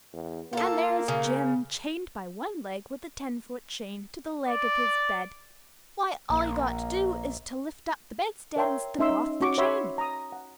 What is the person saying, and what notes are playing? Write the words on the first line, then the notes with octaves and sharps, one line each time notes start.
And there's Jim chained by one leg, with a ten-foot chain, to the leg of his bed: why, all you got to do is to lift up the bedstead and slip off the chain.
E2
A#3 F4 A4
C#3
D5
A#1 A#3
A#4 C#5 E5 G5 A#5 C6
C#4 D#4 E5 C6 E6
C#4 F#4 C#6 D6
C#5 E5 F#5 B5 C6 E6
A#5 D#6
F#5